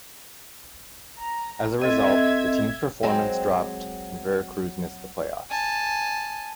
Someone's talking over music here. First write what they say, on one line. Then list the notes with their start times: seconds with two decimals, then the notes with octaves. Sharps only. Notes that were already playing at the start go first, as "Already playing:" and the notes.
As a result, the team's performance dropped and Veracruz missed the playoffs.
1.20 A#5
1.82 C4 A4 D#5 E5 G#6
3.03 F#3 G#3 C4
5.50 G#5 A5